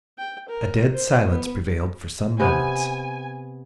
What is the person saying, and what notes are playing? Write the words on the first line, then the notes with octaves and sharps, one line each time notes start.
A dead silence prevailed for some moments.
G5
A#4
C5
B3
C3 B3 G#5